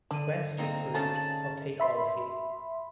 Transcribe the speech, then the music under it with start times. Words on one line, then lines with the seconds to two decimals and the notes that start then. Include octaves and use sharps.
West approved, I'll take all of you.
0.11 D3 D4 D#7
0.58 A#3 C4 D#4
0.95 C#3 A3 C#4 A5
1.80 E5 B5 C6